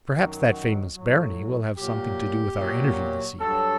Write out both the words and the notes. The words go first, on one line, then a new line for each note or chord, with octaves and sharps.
Perhaps that famous barony will have something to do with our interview this evening.
F#2 D#3 F#3
A2 F#3
A#2 F#3 G4
A#2 F#3
G2 F#3 A4